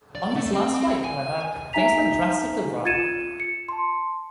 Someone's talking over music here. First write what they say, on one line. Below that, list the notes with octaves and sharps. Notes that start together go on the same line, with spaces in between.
On this last flight, however, things went drastically wrong.
D5
A3
C4
G#5
D#4 E5 G#5 A#5 B6 F7
F4 G#6 A6 C#7 D#7 E7
C#7
A5 C6